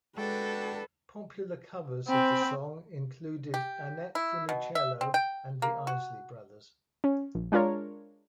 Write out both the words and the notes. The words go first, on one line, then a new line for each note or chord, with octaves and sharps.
Popular covers of the song included Annette Funicello, and The Isley Brothers.
G#3 D4 F#4 A4 B4 G5
C4 G5 G#5 B5
G4
E4
B2
E5
C4
G5
A#3
F#4
C#4
A#1
G#3 D4 F4 A#4 C#5